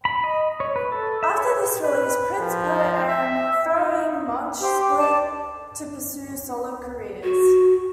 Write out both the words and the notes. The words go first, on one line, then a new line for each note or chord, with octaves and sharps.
After this release, Prince Po and Pharoahe Monch split to pursue solo careers.
B5
D#5
C#5
B4
A4
E5
C#5
B4
F3
E5
D#4
G4 C5
D6
D5 A5 D6
F#4